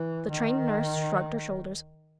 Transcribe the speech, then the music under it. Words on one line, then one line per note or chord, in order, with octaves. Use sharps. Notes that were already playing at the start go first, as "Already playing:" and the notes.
The Trained Nurse shrugged her shoulders.
Already playing: E3
D#3